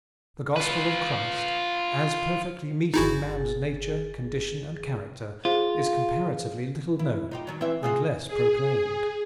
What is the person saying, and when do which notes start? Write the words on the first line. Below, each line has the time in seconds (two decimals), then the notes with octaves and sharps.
The gospel of Christ, as perfectly meeting man's nature, condition, and character, is comparatively little known, and less proclaimed.
0.56 F4 B4
2.94 G1 D#4 E4 F#4 G#4 A6
5.45 F4 G#4 C5 F5
6.99 E4
7.31 D#4 F4 G4
7.47 G2 D#3 F#3
7.61 E3 C4 E5
7.83 C3 F4 F#4 G#4
8.26 G#4